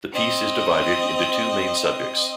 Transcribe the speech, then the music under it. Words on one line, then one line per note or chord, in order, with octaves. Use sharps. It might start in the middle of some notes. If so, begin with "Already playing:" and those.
The piece is divided into two main subjects.
C4 D#5